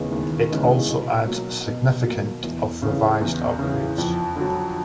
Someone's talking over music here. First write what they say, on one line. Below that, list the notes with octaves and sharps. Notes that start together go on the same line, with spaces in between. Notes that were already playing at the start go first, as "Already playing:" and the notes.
It also adds a significant of revised upgrades.
Already playing: D#2 C#3 E3 G#3 B3
D#2
C#3 E3 G#3 B3
B2
F#3 A#3
B2
F#3 A#3
E2
C#3 E3
E2
C#3 E3
F2
D3 F#3